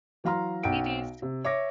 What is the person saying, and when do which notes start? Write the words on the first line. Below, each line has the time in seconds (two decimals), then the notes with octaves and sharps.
it is,
0.24 E3 F#3 F5 A#5 C6 F6
0.63 B1 F#5 G5 D7
1.22 C3
1.45 C#5 E5 D6 A#6